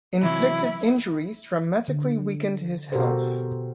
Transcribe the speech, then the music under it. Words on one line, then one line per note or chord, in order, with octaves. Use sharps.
Inflicted injuries dramatically weakened his health.
C3 E3 F#3 E4
D3
B2 F#4 G4 A4 A#4 C5